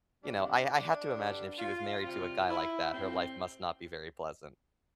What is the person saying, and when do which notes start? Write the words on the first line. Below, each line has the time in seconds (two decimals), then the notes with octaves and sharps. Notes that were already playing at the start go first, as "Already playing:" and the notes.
you know, I I have to imagine if she was married to a guy like that, her life must not be very pleasant.
0.23 C3 E3 G3 D4
1.13 G2 D3 G3
1.57 F4
2.03 C3 G3 F4
2.48 E4
2.93 A2 G3 C4